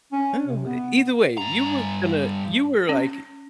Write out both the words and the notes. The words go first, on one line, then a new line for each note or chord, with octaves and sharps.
Oh, either way, you were gonna you were like,
C#4
C3
B3
G2 A#5
C#4